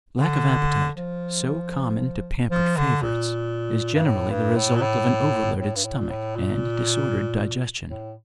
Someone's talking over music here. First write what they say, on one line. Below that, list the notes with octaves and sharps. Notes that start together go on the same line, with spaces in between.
Lack of appetite, so common to pampered favourites, is generally the result of an overloaded stomach and disordered digestion.
D3
F3
F3
D3
A#2
G2
A2
G2
A2
A#2
A2
A2
G2
A2
A#2
A2
A#2
A2